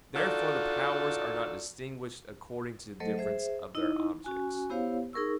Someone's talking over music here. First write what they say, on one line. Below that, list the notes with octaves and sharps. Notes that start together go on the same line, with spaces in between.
Therefore the powers are not distinguished according to the difference of their objects.
D4 D#4 F4 F#4 A4 D5
F#3 A3 A4 C5 D#5
G#4 C5 E5
D#4 E4 D#5
C#4 F#4 G#5
B3 E4 G4 C5 C#5 F5
D#4 G#4 A#4 C#6 E6